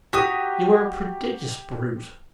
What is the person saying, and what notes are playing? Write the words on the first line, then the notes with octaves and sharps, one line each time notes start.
You are a prodigious brute.
F#4 G4 A#5 D#6 B6